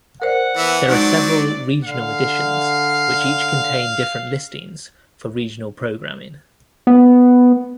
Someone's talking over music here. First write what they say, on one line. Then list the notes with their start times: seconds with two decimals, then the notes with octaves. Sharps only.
There are several regional editions, which each contain different listings for regional programming.
0.22 A#4 C5 D5 F#5
0.57 E3 B3 E5
0.88 F#3 G#3 C4 D#4 D5
1.85 D3 F5
6.87 B3